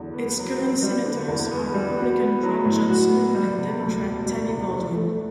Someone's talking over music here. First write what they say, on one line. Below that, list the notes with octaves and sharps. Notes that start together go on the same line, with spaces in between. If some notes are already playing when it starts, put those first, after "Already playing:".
Its current senators are Republican Ron Johnson and Democrat Tammy Baldwin.
Already playing: E2 D3 F#3
B3
F#3
B3
G3
D3
E2
B3
G3
F#4
B3
F#3
A2
F#4
B3
G3
C3
D2
E1
G3
C3
D4
A3